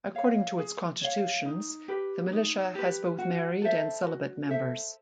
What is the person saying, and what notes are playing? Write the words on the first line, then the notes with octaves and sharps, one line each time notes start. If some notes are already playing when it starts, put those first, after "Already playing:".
According to its constitutions, the Militia has both married and celibate members.
C#5 F5
G#4
C#5 F5
D#4
G4 B4
D#4
G4 B4
F#4
A4 C5 E5
F#4
A4 C5 E5